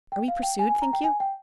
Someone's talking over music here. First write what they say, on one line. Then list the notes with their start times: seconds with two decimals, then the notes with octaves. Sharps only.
Are we pursued, think you?
0.12 G5
0.28 F5
0.43 G5
0.59 G#5
0.69 G#5
0.82 A#5
0.93 G5
1.04 G#5
1.20 G5